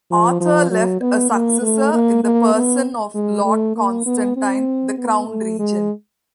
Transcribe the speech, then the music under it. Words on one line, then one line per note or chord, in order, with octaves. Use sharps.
Arthur left a successor in the person of Lord Constantine the Crown Regent.
F3
F3
F#3
B3
A#3
A3
A#3
A#3
B3
G#3
A3
A#3
B3
C4
B3
A3
G#3